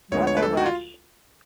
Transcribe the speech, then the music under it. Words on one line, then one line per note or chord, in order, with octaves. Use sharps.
What a rush.
D2 D3 F3 G#3 B3 C#5
C#5
B4
A4
F#4
F4